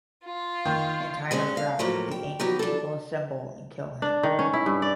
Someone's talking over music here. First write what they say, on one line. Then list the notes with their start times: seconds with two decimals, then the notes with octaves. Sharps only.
In time of drought, the angry people assemble and kill him.
0.24 F4
0.65 D#3
1.31 G2 G#3 C4 C#4
1.57 F5
1.79 A2 F3 F#3 A#3
2.11 G5
2.40 F#3 B3 D#4 G4
2.59 D4 A4
4.02 D4
4.23 D#3
4.39 C#4
4.53 E4
4.66 G2
4.82 D5